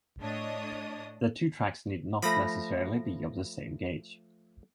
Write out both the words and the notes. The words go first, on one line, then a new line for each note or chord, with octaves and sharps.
The two tracks need not necessarily be of the same gauge.
A2 D4 C#5 D#5 D#6
F3 A3 B5 A#6